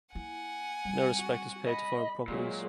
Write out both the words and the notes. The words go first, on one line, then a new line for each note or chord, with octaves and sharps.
No respect is paid to foreign properties.
A#3 E4 F#5 G#5
G3 C4
F#4
D#5 B5
A#2 F#3 G#3 F4